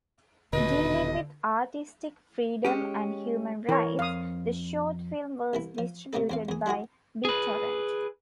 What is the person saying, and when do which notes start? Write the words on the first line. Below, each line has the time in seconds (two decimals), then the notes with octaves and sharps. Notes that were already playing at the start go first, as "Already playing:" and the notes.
Dealing with artistic freedom and human rights, the short film was distributed by BitTorrent.
0.53 D#1 B2 D3 B4 D#5
2.65 G#3 C#4 G4
3.69 E3 A#4 C#5
3.99 F2 F5 D#6
5.53 C2 E3 E4
5.78 F3
6.13 C3 A3 A#3 D#4 A4
6.30 E2 C4 F5
6.49 E2 G#4
6.66 G3 E4 F#4 G#4
7.25 G#4 B4